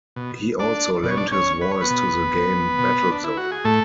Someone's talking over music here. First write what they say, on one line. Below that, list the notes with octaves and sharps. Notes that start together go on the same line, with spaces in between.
He also lent his voice to the game "Battlezone".
B2
D4 D5
B2 D5
C#5
D4 D5
C#4 C#5
B4
C#5
B3 B4
B2
B2
D4
E4
F#4
G#4
A2 A3 A4